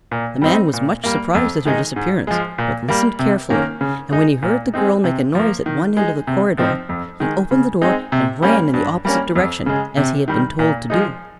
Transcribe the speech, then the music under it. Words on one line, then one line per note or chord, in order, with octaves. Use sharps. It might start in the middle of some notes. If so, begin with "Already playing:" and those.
The man was much surprised at her disappearance, but listened carefully and when he heard the girl make a noise at one end of the corridor he opened the door and ran in the opposite direction, as he had been told to do.
A#2
G3 C4 D#4
A#2
G3 A#3
F2
D#3 G#3 D#4
G#2
F3 G#3
A#2
G3 A#3
C3
D#3 A#3 C#4
C#3
G#3 D#4
A#2
G#3 C4 D#4
C3
F3 A#3
D#3
G#3 D#4
C3
F3 C4 D#4
F2
D#3 G#3
C#3
G#3 C4 D#4
C3
G3 A#3 C#4
G2
G3 A#3 C#4
F2
C#3 G#3
C3
D#3 G3
A#2
F3 G#3 D#4